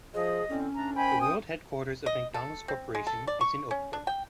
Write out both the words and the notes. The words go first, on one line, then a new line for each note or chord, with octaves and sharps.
The world headquarters of McDonald's Corporation is in Oak Brook.
F3 G#4 D#5
A2 D3 C4 C#4
A2 D4 A#5
D#3 C5 G5 G#5 B5
D#6
D#5
A4
C4
G#3
A4
D5
C#6
C#4
D4
G5